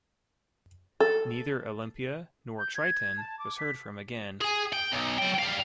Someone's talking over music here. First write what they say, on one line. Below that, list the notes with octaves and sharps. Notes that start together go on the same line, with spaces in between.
Neither "Olimpia" nor "Triton" was heard from again.
A4
G6
G#6
A5
D6
B6
G#4 G#5
G5
B1
F#3 G5
G3 F5